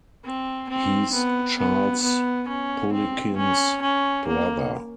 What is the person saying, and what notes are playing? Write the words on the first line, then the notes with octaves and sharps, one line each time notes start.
He's Charles Poliquin's brother.
C4
C4
B3
B3
B3
C#4
C4
C#4
C#4
A#3